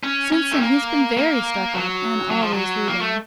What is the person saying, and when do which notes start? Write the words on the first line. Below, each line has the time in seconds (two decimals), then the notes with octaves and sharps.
Since then he's been very stuck up, and always reading.
0.03 C#4
0.32 C#4
0.51 A3
0.60 A#3
1.17 A#3
1.74 F#3
2.31 F#3
2.42 F3
2.53 F#3
2.88 A#3
3.01 A3